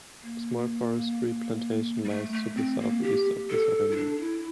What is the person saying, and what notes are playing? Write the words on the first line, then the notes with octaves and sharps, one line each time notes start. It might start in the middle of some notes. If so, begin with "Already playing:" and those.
A small forestry plantation lies to the southeast of the settlement.
A#3
G3
A3
A3
C4
A#3
G4
A4
E4
D4
E4